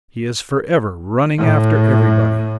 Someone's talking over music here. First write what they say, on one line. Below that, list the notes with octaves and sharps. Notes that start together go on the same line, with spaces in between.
He is forever running after everybody.
A2